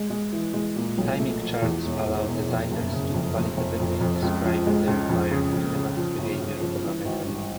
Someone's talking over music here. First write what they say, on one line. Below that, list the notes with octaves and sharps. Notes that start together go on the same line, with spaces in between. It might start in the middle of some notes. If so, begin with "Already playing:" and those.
Timing charts allow designers to qualitatively describe the required kinematic behavior of a mechanism.
Already playing: G#3
G#3
E3
G#3
A#2
B1
A3
F3
E2
E1
E1
E1
F2
F#1
C#3
F2
F1
F1
F2
F2
C#2
F3
G#3
C#2
F2
C#3
F2
C#3
F3
G1
G1
F3
E3
G#1
G2